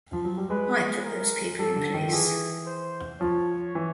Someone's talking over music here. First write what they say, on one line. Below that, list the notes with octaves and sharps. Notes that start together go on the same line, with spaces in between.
I put those people in place.
F3
F#3
G3
G#3 B4
A#4
G3 A4
D3
D#3
F3
E3 G#4
C5
F3 C#5
E3